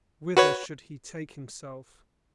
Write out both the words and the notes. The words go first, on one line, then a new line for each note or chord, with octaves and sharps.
Whither should he take himself?
F#4 B4 C#5